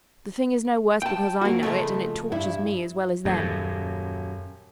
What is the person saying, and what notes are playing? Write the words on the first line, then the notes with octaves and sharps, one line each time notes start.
The thing is no worse because I know it, and it tortures me as well as them.
G5 A5
A#3 F#4
C#3 F3 G#3 A3
G2 E4
D#1 F#2